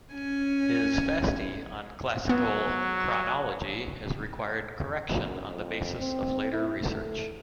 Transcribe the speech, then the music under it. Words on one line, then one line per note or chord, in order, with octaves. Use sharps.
His "Fasti", on classical chronology, has required correction on the basis of later research.
C#4 G#5
F#3 B3
F#2
F2
C4
E4
A3